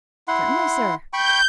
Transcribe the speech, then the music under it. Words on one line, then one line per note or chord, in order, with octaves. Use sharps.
"Certainly, sir."
E4 F#5 C6
G5 B5 C#6 G6